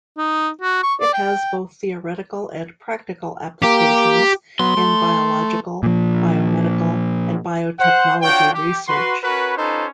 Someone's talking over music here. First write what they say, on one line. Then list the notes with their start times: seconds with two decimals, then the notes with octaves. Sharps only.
It has both theoretical and practical applications in biological, biomedical and biotechnology research.
0.17 D#4
0.62 F#4
0.83 C#6
1.00 D5
1.13 G5
3.62 A#3 G4
4.59 F#3 B3 C6
4.77 A3
5.83 A#2 F3
7.79 C5 F#5
8.21 D4 F4 F#4 C#5 G5
8.54 G4
8.87 F#4 B4 C6
9.23 C#4 F#4 A#4 B4
9.56 C#4 D#4 F4 A4 B4 C5